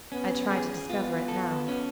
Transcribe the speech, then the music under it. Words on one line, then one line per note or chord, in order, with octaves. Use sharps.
I tried to discover it now.
B3 C#4
G#4
B3 F4
A4
C#4